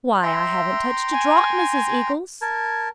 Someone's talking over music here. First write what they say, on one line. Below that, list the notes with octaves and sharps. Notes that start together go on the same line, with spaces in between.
'Why, I haven't touched a drop, Mrs. Eagles!'
E5 G5 A#5 C6
G#5
A#4 A5 G#6